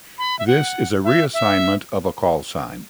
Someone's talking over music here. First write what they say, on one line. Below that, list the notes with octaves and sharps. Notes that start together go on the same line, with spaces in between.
This is a reassignment of a callsign.
B5
E5
F#5
E5
E5